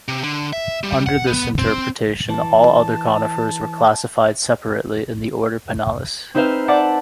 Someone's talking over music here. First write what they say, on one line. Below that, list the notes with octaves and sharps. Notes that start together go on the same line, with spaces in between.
Under this interpretation, all other conifers were classified separately in the order Pinales.
C3
D3
E5
G3
F#5
B3
C4
E3 A5
C4 D#4 B4 C5 E5 F5
D5 E5 F#5 A5 D6